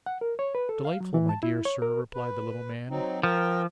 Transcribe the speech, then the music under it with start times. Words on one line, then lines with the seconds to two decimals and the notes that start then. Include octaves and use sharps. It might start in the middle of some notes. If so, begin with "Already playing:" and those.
'Delightful, my dear Sir,' replied the little man.
0.06 F#5
0.21 A#4
0.39 C#5
0.55 B4
0.69 A4
0.85 F5
1.00 F#3
1.14 E3
1.29 A5
1.43 E4
1.65 C#5
1.82 A#4
2.15 B4
2.90 F#3 C4 D#4
3.23 F3 A#4 G5